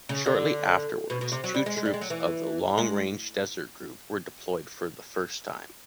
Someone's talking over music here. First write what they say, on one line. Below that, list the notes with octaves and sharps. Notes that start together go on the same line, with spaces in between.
Shortly afterwards, two troops of the "Long Range Desert Group" were deployed for the first time.
C#3
D3
B2
B2
C3
F#3
G3
G#3
G#3
G3
G#3
F#3
E3
G#3